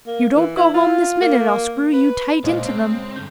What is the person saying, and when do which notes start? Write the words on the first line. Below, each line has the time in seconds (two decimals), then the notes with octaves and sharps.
If you don't go home this minute I'll screw you tight into them.'
0.07 A#3
0.36 E3
0.57 E4
0.74 F4
1.21 A#3
1.93 B4
2.44 A#2 G#3 C#4 C5 D#5 F5
2.65 C4
3.16 G2 D3 G6